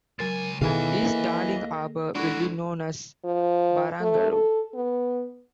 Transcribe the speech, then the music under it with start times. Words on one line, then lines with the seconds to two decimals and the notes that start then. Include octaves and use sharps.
East Darling Harbour will be known as Barangaroo.
0.19 C#2 F#3 A#4 G#5 A6
0.61 B2 D#3 E3 G#4 A4 D#5 F5 G#5
1.03 A#3
2.15 G#3 D4 E4 F#4 A4
3.25 F3
4.01 A3
4.32 A4
4.75 B3